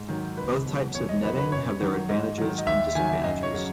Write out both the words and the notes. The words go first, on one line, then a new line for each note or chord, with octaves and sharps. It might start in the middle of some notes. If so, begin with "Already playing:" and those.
Both types of netting have their advantages and disadvantages.
Already playing: G#2
D#3 F#3
C#2 B4
B2 F#3
E2 C#5
D#5
D#3 F#3 B4
B4
F#2 C#5
D#3 F#3
G#2 D#5
D#3 F#3
D#5
D#2 E5
D#3 F#3 G#5
E5
F#2 D#5
C#5
C#3 F#3